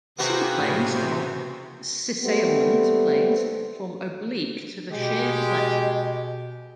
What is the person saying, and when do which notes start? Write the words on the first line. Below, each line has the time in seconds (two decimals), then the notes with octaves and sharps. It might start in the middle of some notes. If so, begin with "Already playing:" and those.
C-planes or "cissalement" planes form oblique to the shear plane.
0.18 C3 A#3 B3 F#4 G#4 G5
0.59 A2 C#3
2.22 G3 A3 B3 C4
4.92 B2 G#3 G4